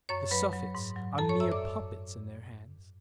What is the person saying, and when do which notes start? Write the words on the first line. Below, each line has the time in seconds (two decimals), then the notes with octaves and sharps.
The suffetes are mere puppets in their hands.
0.09 F#2 C#5 C#6
0.31 F#3 B4 B5
0.53 F#3
0.75 G#2
0.96 F#3
1.18 F#2 A4 A5
1.29 C#5 C#6
1.40 F#2 E5 E6
1.52 D5 D6